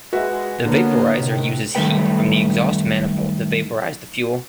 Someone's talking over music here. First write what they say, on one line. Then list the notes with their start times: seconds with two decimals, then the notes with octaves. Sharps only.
The vaporizer uses heat from the exhaust manifold to vaporize the fuel.
0.13 G#3 F#4 B4 E5
0.65 D3 A#3 B3 C#5
1.19 C3 D#3
1.75 F#2 D#3 G3 A3 B4 G5